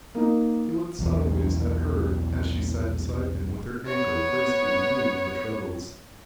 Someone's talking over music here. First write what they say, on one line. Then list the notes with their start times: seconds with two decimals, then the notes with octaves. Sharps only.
He looked sideways at her as she sat beside him with her ankles gracefully ruling the treadles.
0.15 A#3 D#4
0.99 B1 E2 F3
3.86 B3 C#5